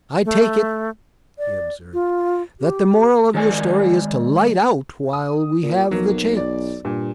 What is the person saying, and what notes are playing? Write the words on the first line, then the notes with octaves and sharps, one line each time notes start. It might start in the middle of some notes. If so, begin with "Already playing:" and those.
"I take it," he observed, "that the moral of your story is to light out while we have the chance."
A3
D5
F4
G4
D#3 G#3 D5 G#5
D#6
A#2
B1 F#3 A#3
D5
G2 A#2